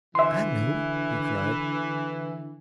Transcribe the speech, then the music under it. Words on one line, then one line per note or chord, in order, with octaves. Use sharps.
"I know," he cried.
D3 E3 E5 C6